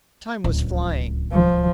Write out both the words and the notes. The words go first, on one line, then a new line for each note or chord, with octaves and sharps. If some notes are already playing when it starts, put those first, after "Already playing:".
Time was flying.
D1 C#2
F3